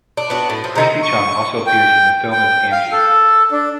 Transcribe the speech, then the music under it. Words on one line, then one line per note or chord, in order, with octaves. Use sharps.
Christy Chung also appears in the film as "Angie".
D4
B3 D4 F#4
A2
F3
C3 D#4 E5
C#6
G5
G5
F5
A4
D4